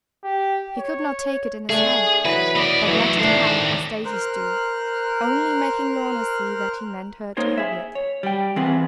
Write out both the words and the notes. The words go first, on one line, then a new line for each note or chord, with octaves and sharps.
He could not take it in his hand, but let it hang, as daisies do; only making Lorna see that he meant her to have it.
G4
C#5
A3 D4 G#4
E3 F#3 B4
B3 D5 D#5
E3 F#3 A3
D#3 A3 D4 C5
A#4 C5 F6 F#6
A#3 D#4 A#4 C5 C#5
G#4 E5
C#5
G3 G5
E3 B3 C4 F4 G#4